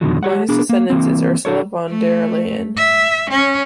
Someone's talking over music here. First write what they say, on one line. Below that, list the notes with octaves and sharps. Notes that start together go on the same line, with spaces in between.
Among his descendants is Ursula von der Leyen.
F2 B2 D3 D#3 F#3
G4 C#5 F#5
B3 D4 G#4
A#3
E3 A#3 C4
D4 A4 C#5
A3
E5
C#4